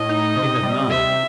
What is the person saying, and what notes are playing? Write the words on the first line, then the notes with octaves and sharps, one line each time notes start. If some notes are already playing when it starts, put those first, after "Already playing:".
He had none.
Already playing: A2 D#5
D#4
C3
G3
C3 E5